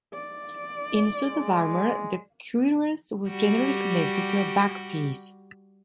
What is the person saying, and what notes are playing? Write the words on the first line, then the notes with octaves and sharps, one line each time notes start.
In a suit of armour, the cuirass was generally connected to a back piece.
D5
G#3
G3 F#4 G4